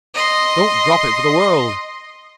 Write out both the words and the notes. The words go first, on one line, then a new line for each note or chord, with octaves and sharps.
"Don't drop it for the world."
D#5 C6